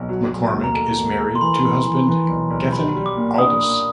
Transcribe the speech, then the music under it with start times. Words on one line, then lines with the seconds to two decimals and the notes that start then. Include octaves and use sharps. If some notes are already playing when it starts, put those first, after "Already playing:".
McCormick is married to husband Gethin Aldous.
Already playing: B1
0.09 F#3
0.31 F#3
0.53 D#2
0.64 A#5
0.75 A3 A5
0.97 D#2
1.19 A3
1.35 C6
1.41 E3 B5
1.63 E3
1.85 E3
2.07 E3
2.29 B1
2.50 B1
2.72 G3 B5
2.95 G3
3.06 D6
3.16 A#2
3.38 D4 D#6
3.61 A#3